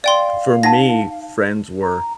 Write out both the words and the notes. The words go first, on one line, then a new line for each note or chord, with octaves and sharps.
for me, friends were,
D5 F5 G5 C6
D#4 F#5 A5 A#6
A#5